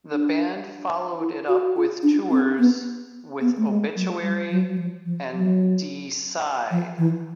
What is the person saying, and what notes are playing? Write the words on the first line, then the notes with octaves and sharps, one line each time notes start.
The band followed it up with tours with Obituary and Deicide.
D4
E4
F#4
F4
D4
C4
B3
B3
A3
G#3
F#3
G3
F#3
F#3
F3
F3
F#3
F3
E3